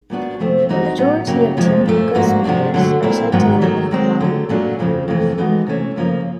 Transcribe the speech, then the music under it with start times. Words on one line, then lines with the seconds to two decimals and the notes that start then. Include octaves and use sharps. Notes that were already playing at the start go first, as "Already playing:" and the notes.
The majority of Tumbuka speakers are said to live in Malawi.
0.10 A#2 G3 B3 D4 F#4
0.40 C3 F3 A3 C4
0.69 E3 G3 C4 D#4 F#4
0.98 A2 F#3 B3
1.27 C#3 F#3 A#3 D#4 G4
1.57 F2 C3 F3 G#3
1.86 A#2 F3 A3
2.15 G#2 F3 A#3 D4 F#4
2.44 C3 F3 A3 D4 F#4
2.74 D3 F#3 A3
3.02 A#2 G3 C4 E4
3.32 G#2 D#3 F#3 B3
3.61 D#3 F#3 A3
3.91 D#3 G#3 C4
4.21 D3 F#3 A3
4.49 A#2 F#3 A3 D4 F#4
4.79 F2 C#3 F3 A3
5.08 F2 C3 E3 A3
5.38 E3 G#3 B3 D#4 F#4
5.67 C3 E3 A3 C#4
5.96 F#2 C#3 F3 A#3